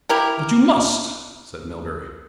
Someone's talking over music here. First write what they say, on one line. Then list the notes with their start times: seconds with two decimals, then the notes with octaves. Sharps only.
"But you must," said Melbury.
0.09 E4 G4 A#4